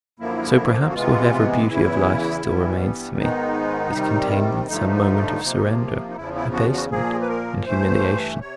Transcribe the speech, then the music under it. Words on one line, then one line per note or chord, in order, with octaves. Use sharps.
So perhaps whatever beauty of life still remains to me is contained in some moment of surrender, abasement, and humiliation.
F#2 D3 F3 A#3 E4
F#4
C3 E3 G#3 B3 F4
E2 C#3 E3 E4
G2 E3 G3 B3
G#2 D#3 G#3 B3 D#4
C3 D#3 G3
G2 D3 F3 A3 D#4
C3 F3 A#3
D#4
E2 C#3 F3 E4
E4
F#4
F#4
A#2 F3 A#3 G#4
B4
A#4
G2 E3 A3 C5
C3 C#5